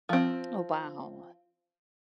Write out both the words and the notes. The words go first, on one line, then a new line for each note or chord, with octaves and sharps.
Oh, wow.
F3 C4